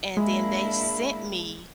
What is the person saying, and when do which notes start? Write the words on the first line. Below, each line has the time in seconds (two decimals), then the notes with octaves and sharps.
and then they sent me,
0.17 G#3 A#3 D4 E4